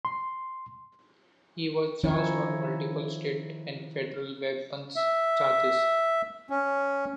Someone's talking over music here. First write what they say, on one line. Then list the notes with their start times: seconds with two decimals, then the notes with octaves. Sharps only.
He was charged on multiple state and federal weapons charges.
0.05 C6
2.03 D#3 F3 C#4 D#4 E4 C#5
4.96 E5
6.50 C#4